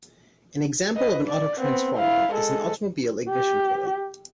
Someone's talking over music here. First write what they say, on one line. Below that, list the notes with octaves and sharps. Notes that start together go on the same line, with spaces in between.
An example of an autotransformer is an automobile ignition coil.
B4 D#5
D5
B3 C4
E4 F5
G#3 A4
G4